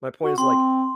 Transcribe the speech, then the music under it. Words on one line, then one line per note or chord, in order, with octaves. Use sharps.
my point is like,
F#4
C4 C6